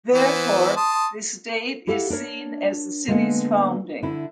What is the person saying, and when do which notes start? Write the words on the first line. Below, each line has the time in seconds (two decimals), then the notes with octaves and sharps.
Therefore, this date is seen as the city's founding.
0.14 E3 B3 C5
0.76 A5 C6 D#6
1.87 E4 G4 A4 F5 F#5
2.10 D4 A#4 C#5
3.08 D3 G#3 A#3 B3 F#5
4.03 D3 E4